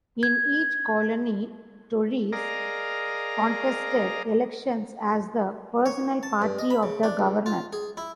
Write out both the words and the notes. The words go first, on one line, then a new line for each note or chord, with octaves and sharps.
In each colony, Tories contested elections as the personal party of the governor.
G#6
G#4 A#4 D5 D#5 F5 A#5
C#5
A5
G2
D#5
B5
C#3
D4
C#2
F4
G#4
E4